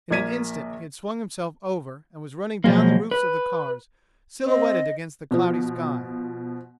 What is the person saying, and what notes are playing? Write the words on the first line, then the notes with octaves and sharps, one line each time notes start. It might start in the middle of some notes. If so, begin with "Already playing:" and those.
In an instant he had swung himself over and was running down the roofs of the cars, silhouetted against the cloudy sky.
A#1 A#3 D5 G#6 B6 D#7
B2 F3 F#3 G#3 A#3
B4
C4 D#5
B2 F3